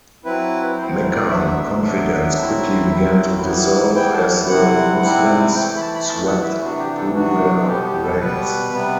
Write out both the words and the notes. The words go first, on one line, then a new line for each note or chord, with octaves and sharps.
Meccan confidence quickly began to dissolve as the Muslims swept through their ranks.
F#3 C4 E4 B4
F#3 C4 E4 C5
C5
D5
F#3 B3 D4 E5
F#5
E5
F#3 B3 D4 E5
F#3 C4 E4
F#3 C4 E4
E3 G3 B3 E4
E3 G3 B3 E4 G5
A5
C3 G3 C4 E4 F#5
C3 G3 C4 E4
E3 A3 E4 G5
B5
A5
B5
E3 A3 E4 A5
F#5
E5
C3 E3 B3 D4 F#4
G4
A4
C3 E3 B3 D4 F#4
A4
B2 G3 B3 G4
G4
A4
B2 G3 B3 B4
C3 G3 B3